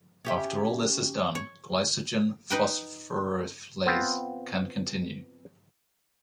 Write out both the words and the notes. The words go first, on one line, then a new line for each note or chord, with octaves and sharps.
After all this is done, glycogen phosphorylase can continue.
C#4 G4 E5
C#5
D#4 B4 G5
B3 C4 F4